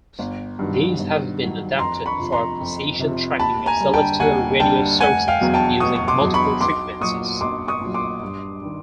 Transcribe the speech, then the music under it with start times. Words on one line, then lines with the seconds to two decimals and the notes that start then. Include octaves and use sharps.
These have been adapted for precision tracking of celestial radio sources using multiple frequencies.
0.19 G1
0.59 G2 D#3 F#3
1.00 G1
1.39 G2 D#3 F#3
1.79 F2 A#5 C6
2.06 B5 C#6
2.19 C3 F3
2.32 A#5 C6
2.60 F2
2.99 C3 F3
3.39 D#2 A5 B5
3.66 G#5 A#5
3.80 D3 G3
3.93 G5 A5
4.20 D#2 F#5 G#5
4.60 D3 G3 G5 A5
5.00 F1 F#5 G#5
5.28 F5 G5
5.41 E2 B2 F#3
5.54 G5 A5
5.80 F1 C#6 D#6
5.96 C#6
6.08 C6 D6
6.21 E2 B2 F#3
6.34 B5 C#6
6.61 B1 C6 D6
7.01 A#2 F#3 C#6 D#6
7.41 B1 C6 D6
7.68 C#6 D#6
7.81 A#2 F#3
7.94 C6 D6
8.22 G2
8.62 D#3 G3